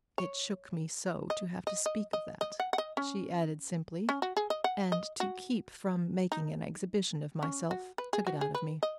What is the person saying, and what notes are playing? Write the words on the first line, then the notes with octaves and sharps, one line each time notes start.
It shook me so to have to speak of that," she added simply, "and to keep from making an exhibition of myself took it out of me.
C#5
D#5
D#5
D#5
D#5
D#5
F#5
F#5
D#5
C#4
C#4
F#4
G#4
D#5
F#5
D#5
F#4
D#4
C#4
F#4
B4
G#4
F#4
G#4
B4
D#5